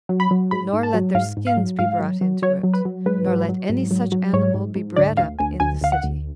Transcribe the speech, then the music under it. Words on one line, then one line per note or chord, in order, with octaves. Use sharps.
Nor let their skins be brought into it; nor let any such animal be bred up in the city.
F#3
B5
F#3
G#2 B5
G#2
A5
F#3
G#2 F5
G#2
F5
F#3
G#2 F5
F#3
F#3
F#3 C#5
F#3
B4
F#3
G#2 B4
F#3
F#3
G#2
F#3
F#3
G#2 C#5
G#2
G#2
D2 D5
D2 F5
D2 G#5
D2 G#5
D2 F5
F#5
D2